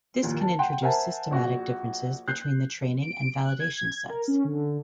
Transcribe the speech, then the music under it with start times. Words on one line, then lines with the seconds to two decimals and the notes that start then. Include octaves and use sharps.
This can introduce systematic differences between the training and validation sets.
0.23 D#2 A#2
0.41 A5
0.59 F#5 G5 C6
0.82 A#4 C5 E5 F#5 G#5 A5
1.31 A#1 F#4 F#5
2.28 F#6 G6 C7
3.02 D7
3.41 F#6
3.60 G#6
4.10 A#4
4.28 C#4
4.44 D3